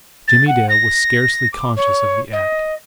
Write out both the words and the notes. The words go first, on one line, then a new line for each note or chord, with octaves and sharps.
Jimmie Dale was scarcely conscious of the act.
A6
F#5
A#6
D6
C#5
D#5